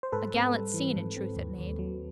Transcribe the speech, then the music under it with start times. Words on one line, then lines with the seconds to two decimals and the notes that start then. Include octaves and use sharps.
A gallant scene in truth it made.
0.03 C5
0.12 G#2 A4 B4
0.34 C4
0.53 G3
0.74 E3
0.96 G#2
1.17 C4
1.36 D#2
1.58 D#2
1.79 F#3